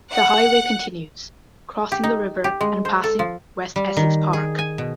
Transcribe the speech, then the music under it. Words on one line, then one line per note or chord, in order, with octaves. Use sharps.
The highway continues, crossing the river, and passing West Essex Park.
F#5
G4
D#4
G4
G#3
C5
A4
F3
G3
D#3
G#4
G#5
B2